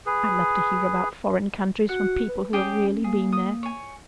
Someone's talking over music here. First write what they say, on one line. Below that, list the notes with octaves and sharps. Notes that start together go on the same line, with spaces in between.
I love to hear about foreign countries from people who have really been there.
G#4 B4
F#4 F#5
B4
C#4 G4 G#4 G5
A#3 G#4
D#6
C#5 G#5